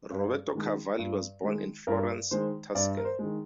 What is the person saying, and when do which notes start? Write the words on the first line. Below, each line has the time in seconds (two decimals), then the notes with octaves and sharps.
Roberto Cavalli was born in Florence, Tuscany.
0.11 G2
0.55 D#3 G#3
0.99 G2
1.44 D#3 G#3
1.87 G2 A#4
2.31 D#3 G#3 C5
2.75 G2 D5
2.97 A#4
3.05 C5
3.19 D#3 G#3